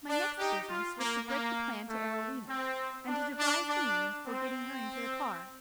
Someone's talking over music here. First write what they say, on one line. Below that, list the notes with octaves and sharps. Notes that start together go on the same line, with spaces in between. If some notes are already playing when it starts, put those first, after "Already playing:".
My next business was to break the plan to Arowhena, and to devise the means for getting her into the car.
D4
D#4 G4
F4
A#3
A#3
A3
C4
D4
D4
D4
C4